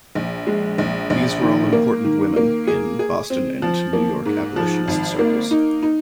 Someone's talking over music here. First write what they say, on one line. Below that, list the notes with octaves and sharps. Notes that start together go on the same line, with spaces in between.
These were all important women in Boston and New York abolitionist circles.
A#1
G#3
A#1
A#1
D#3
A#3
D#3
A#3
G#4
G#4
C4
F3
A#3
G#2
F3
G#1
A#3
D#4
D#4